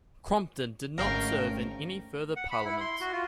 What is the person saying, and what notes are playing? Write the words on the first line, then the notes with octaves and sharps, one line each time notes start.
Crompton did not serve in any further Parliaments.
G#1 D3 A3 C#4 A#4 F5 G5
F#5
B5
E4
C6
F#4
F4